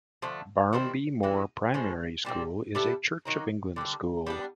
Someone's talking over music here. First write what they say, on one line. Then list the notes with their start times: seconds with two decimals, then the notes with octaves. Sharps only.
Barmby Moor Primary School is a Church of England school.
0.22 D3 F3 A3
0.73 D#3 G3 C4 E4
1.23 E3 G#3 B3 E4
1.74 A2 F3 G#3
2.25 A#2 G3 C4
2.75 G3 B3 E4 A4
3.25 D#3 F#3 A#3 D#4
3.76 D3 G3 A#3
4.27 G3 B3 D4